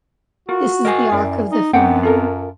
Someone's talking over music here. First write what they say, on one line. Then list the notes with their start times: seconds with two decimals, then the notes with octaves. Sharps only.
This is the arc of the film.
0.49 F4 F#4 A#4
0.85 A#4 D#5 G5 G#5
1.12 F#2 E4 D5
1.52 D#4
1.73 F#2 B3 C4 D4 F#5 G5
2.03 F4 A4 A#4